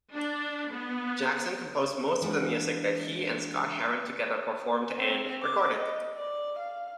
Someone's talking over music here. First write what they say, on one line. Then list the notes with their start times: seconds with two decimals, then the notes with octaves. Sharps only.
Jackson composed most of the music that he and Scott-Heron together performed and recorded.
0.15 D4
0.71 B3
2.22 E3 G#3 D4 E4 F4 F#5
4.98 C4
5.42 D6
5.77 D#5
6.15 D5
6.59 F5